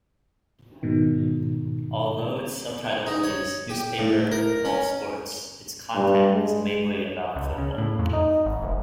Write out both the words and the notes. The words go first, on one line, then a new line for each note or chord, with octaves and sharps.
Although its subtitle is "newspaper of all sports", its content is mainly about football.
G#2 B2 D#3
D#4
C#5
G4
A2
A#4
C#4
G2
G#3
C#2
C#3
A2
F2
D#4
G#1
F1